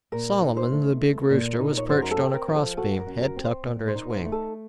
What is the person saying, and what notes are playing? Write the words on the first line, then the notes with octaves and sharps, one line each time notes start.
Solomon, the big rooster, was perched on a crossbeam, head tucked under his wing.
A#2 A#4
D#4
C5
A3
A4
A#2
D#4
C#5
F#2 C5
A#4
A4
C4
A#4
F3
A4
F#4 A4
A#4
F#2
A#4
C4
C5
A#2
C5
D#4
C5
A3
A4